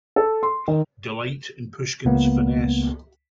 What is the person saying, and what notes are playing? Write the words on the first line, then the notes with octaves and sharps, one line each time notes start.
Delight in Pushkin's finesse.
A4
C6
D#3
C#2 A#3 B3